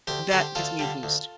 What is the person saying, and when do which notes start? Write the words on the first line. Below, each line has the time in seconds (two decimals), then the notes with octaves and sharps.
that gives me a boost.
0.07 D2 G4 C5
0.31 D3 G3 G4 C5
0.55 D2 F4 A4
0.79 D3 G3
1.03 D2